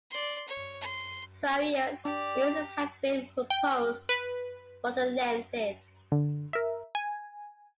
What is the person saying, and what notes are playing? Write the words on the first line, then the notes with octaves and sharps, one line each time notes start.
Various uses have been proposed for the lenses.
D5 C6
C#5
C6
D4 G4 D5
G5
B4
D3
A#4 E5
G#5